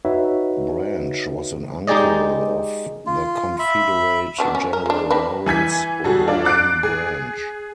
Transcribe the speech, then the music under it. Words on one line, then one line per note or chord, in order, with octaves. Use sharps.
Branch was an uncle of the Confederate General Lawrence O'Bryan Branch.
D#4 F#4 B4 C#5 E5
G#3 D#4 G4 G#4 D5 D#5
F4
E5 B5
B3 D4 F#4
C#4
A#4
G#3 D4
C4 D4 B4
E3 G#5 G#6 B6
G3 F#4 G#4 A4
D4 F4 D5
D6 F#6 A6 C7 D7
G#4